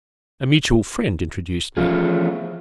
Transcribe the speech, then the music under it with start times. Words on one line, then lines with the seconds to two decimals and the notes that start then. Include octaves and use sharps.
A mutual friend introduced me.
1.77 E2 F3 A3 C#4 F4 G#4